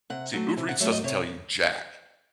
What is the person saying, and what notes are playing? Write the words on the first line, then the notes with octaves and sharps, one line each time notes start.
See, Uber Eats doesn't tell you jack.
C3 F#5
F#3 A3
C3 G#5
F#5
F#3 A3 E5
D#5
C3 C#5